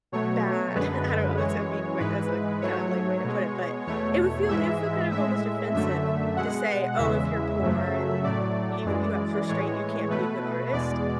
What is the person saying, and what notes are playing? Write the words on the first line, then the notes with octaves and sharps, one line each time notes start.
bad, I don't know, that's a weak way that's a kinda lame way to put it, but it would feel it would feel kind of almost offensive to say, "Oh, if you're poor and you you have restraint, you can't be a good artist,"
B2 F#3 A3 C#5
F#2 D3 G#3 B4
F#2 E3 G#3 C#5
G#2 E3 G#3 B4
G#2 F#3 A3 C#5
B2 G#3
E2 B2 A3 C#5
G#2 E3 G#3 E5
A2 G#3 E5
F#2 D3 A3 E5
B2 G#3 F#5
E2 C#3 E3 G#3 E5
F#2 C#3 F#3 A3
A2 F#3 A3 D5
F#2 E3 G#3
A2 E3 G#3 C#5
B2 A3 B4
E2 B2 G#3 D5